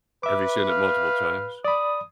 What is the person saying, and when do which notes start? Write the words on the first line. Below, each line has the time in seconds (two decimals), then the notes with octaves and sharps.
Have you seen it multiple times?
0.23 B4 E5 D6
0.69 F5
1.65 D5 B5 D#6